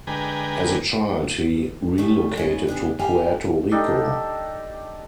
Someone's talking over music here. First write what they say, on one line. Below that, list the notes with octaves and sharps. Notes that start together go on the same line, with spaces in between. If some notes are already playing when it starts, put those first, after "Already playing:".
As a child, he relocated to Puerto Rico.
D3 G#3 B4 G5 G#5 A#5
A2 C#3 G3 A3
G#3 B3 C#4
B3 D4 G4 G#4
G4 A4 A#4 F5 G5 G#5
D4 D#4 G4 A4